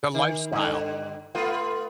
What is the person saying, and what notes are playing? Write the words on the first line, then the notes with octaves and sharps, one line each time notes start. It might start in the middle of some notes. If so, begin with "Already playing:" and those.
The lifestyle
D#3
G2 D3
A3 B3 F4